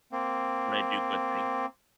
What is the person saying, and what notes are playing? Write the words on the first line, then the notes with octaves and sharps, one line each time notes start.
when I do good things
A#3 C4